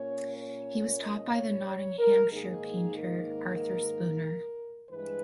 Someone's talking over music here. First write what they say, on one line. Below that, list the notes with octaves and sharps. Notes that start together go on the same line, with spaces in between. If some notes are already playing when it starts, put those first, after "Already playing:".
He was taught by the Nottinghamshire painter Arthur Spooner.
Already playing: A#2 A#3 C#4 C#5
C#5
D#5
C#5
C#5
A#4
G#2 D#3 A#3 D#4 G#4
A#4
G2 E3 G#3 B4